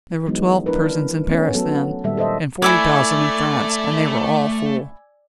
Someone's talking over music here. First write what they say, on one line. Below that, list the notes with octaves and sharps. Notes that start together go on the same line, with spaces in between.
There were twelve prisons in Paris then, and forty thousand in France, and they were all full.
E3 F#3 G#3 B3 D#4
D4 E4 A#4 B4
A3 B3 C#4
F#3 B3 A4
A#2 D#3 G3 A#3 A4 E5
A4 C5 D#5 E5
A3 E4 D5 E5 G#5 D6 E6 G#6